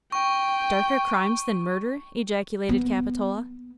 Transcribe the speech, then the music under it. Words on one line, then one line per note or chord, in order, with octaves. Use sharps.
"Darker crimes than murder!" ejaculated Capitola.
G5 C#6
B3